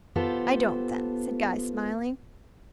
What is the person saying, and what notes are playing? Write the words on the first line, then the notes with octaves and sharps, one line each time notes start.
'I don't, then,' said Guy, smiling.
B3 F4 G4 A4 C5